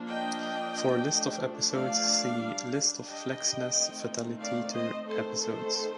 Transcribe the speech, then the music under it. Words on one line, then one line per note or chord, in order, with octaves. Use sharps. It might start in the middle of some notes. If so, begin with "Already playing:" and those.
For a list of episodes, see List of Fleksnes Fataliteter episodes.
Already playing: F3 A#3 D4
D#5 G5
F3 A3 D4
D5 F5
G3 D4
D#5 G5
D#3 A3 C4
D5 F5
C5 D#5
D#3 A3 C4 A4 C5
A4 C5